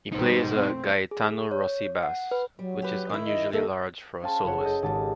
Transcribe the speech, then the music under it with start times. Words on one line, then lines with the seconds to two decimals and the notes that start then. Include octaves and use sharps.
He plays a Gaetano Rossi bass, which is unusually large for a soloist.
0.12 B2 D#3 G3 D#4 C5
0.52 A3 C4
1.11 G#4
1.51 C#5
2.03 F#5
2.31 B4
2.59 F#3 G3
2.82 G4 B4
3.09 D#3 E4
3.27 D#5
3.53 D#2 D#3 A4 E5
4.23 C#4 C5 F5 G5 A5 C6
4.44 F#1 B4 C#5 F#5
4.63 A4 D#5 G6
4.82 G#1 G4 A5